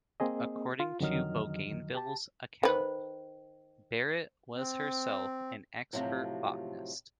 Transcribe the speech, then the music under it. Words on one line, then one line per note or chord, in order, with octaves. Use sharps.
According to Bougainville's account, Baret was herself an expert botanist.
A#3 C4 G#4 D#5
F4
F2 D3 D#3 F#3 D#5 F6
G4 A5
D#3 B4 C5
C4
A2 C3 F3 F#3